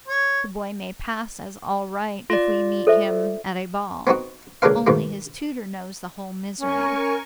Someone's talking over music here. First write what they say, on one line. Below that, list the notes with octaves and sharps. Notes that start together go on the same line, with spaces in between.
The boy may pass as all right if we meet him at a ball; only his tutor knows the whole misery.
C#5
F4 D5
A4 C5 E5
B3 C4 D#4 F#4
C#2 C#3 A#3 D4 B4 F5
G#2 B2 D#3 A#3
C#4 A#4 G#5 C#6